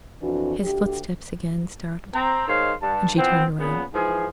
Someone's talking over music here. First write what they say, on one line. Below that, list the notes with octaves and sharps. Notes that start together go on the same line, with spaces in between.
His footsteps again startled her, and she turned round.
F2 E3 D4 F#4
D2 G4
C4 A#5
D#3 G#3 C5 C#5 D#5 F5
G2 A5
E3 F3 B3 C4
A#2 C#3 B3
G#2 E3 F3 G#4